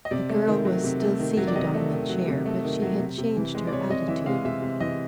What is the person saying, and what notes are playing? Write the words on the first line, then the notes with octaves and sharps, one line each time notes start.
The girl was still seated on the chair, but she had changed her attitude.
D#5
C3 D5
A3
D#3
F#3
C3
A3
D#3
F#3
D5
C3 D#5
A3
D#3
F#3
C3
A3
D#3
F#3
C3
C3
E3
G#3
D5
C3 C#5
C3 D#5
E3 E5
G#3 F5
C3 E5
C3
E3 D#5